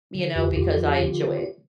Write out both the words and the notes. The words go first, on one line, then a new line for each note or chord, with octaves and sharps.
you know, because I enjoy it.
D3
F2 F4 G4
F2 F4 G4
F3
D3